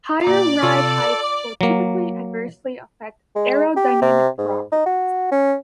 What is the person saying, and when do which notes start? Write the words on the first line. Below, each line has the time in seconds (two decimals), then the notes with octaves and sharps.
Higher ride heights will typically adversely affect aerodynamic properties.
0.24 A#2 D5 A#5
0.62 C3 F4 A4
1.23 D6
1.61 F#3 A#3
3.36 G#3
3.76 G4
4.02 C3
4.38 G#2
4.72 D#4
4.86 F#4
5.32 C#4